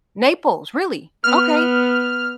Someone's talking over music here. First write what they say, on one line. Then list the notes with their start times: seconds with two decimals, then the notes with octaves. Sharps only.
Naples, really? Okay.
1.24 B3 F6